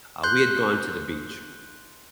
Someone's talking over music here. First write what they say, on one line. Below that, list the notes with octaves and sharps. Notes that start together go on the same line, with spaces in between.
uh, we had gone to the beach,
C6 F#6 G6